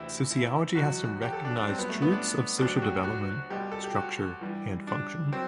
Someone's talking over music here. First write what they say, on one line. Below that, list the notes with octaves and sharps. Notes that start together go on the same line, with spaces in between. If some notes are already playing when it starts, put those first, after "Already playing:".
Sociology has to recognize truths of social development, structure and function.
Already playing: D2 C3 E3 E4
E4
E2 B2 F#3 F#4
G4
A4
D4
D4
G2 F#3 C4
B3
A3
B3
D4
D2 D3 F#3 D4
G4
F#4
F#4
C2 B2 G3 G4
A4
G4
F#4
G2 E3 G3
D4
F#3 C4